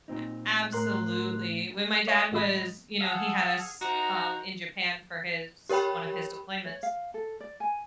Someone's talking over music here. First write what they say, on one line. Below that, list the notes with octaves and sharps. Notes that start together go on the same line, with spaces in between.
A absolutely, when my dad was you know, he had us, um, in Japan for his one of his deployments,
A#2 C4 D#4
A2 A#4 C6 F#6
C#5 D#5 F5 G#5 D#6
A1 G#3 F4 D#5 B5 B6
G#4 F5 F#5 A5 E6
D#4 F#4 C5 A#5
G4 A#4 C#5 G5 B5
C#5
F5
A4
D5
G#5